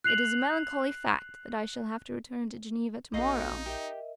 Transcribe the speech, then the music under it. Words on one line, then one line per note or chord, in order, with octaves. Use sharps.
"It is a melancholy fact that I shall have to return to Geneva tomorrow."
F#6 C7 F7 F#7
A#1 B3 D#4 F#4 A4 D#5 F5
G4 A#4 D#5 E5